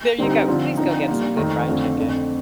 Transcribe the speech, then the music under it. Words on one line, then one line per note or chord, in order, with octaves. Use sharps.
There you go. Please go get some good fried chicken.
D3 G3 C4 D#4
D3 F3 C4 F4
D3 F3 C4 D#4
A#2 G3 A#3 F4
F2 D#3 A3 C4 D#4
F2 D3 A3 C4 F4
F2 D3 A3 C4